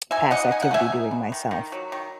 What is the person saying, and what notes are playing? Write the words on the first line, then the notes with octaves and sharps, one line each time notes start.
past activity doing myself,
D#4 E5 G#5
D#4 D#5 F#5
D#4 G#5
F#5
A3
E5 G#5
D#4
B2
D#3
D#3
F#3
D#3